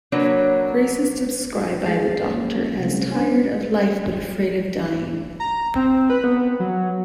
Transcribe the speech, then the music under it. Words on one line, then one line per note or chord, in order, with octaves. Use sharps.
Grace is described by the Doctor as tired of life but afraid of dying.
F#3 A#3 D4 B4 C#5
G#3 G#4 A5 A6 C7
A#3 C#4
C3 G3 A3 C#4
B3 C#4 D4 C5 G#5
C#4
A#5
C4
B4
B3
F#3